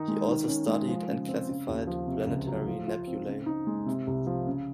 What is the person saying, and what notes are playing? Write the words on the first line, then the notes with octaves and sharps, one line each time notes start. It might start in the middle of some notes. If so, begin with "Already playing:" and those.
He also studied and classified planetary nebulae.
Already playing: D#3 D#4
G#3
D#3
C#4
G#3
F3
C#3
C4
C#3
D#2
F3
C3
C#2
F#3
F3
F4
C4
C#3
D#4
G#3
C3
C2
F3
C#3